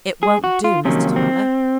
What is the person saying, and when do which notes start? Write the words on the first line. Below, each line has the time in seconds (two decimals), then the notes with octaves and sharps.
"It won't do, Mr. Toller!"
0.23 G#4
0.44 F#4
0.64 F4
0.85 F2 C3 D#3 F#3 A#3 C#4
1.16 C4